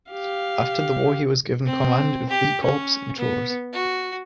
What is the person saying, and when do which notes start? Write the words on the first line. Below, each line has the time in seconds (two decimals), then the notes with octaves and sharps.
After the war he was given command of V Corps in Tours.
0.12 G4 F5
1.65 C4
2.29 G4
2.63 C#4
3.18 B3
3.73 F#4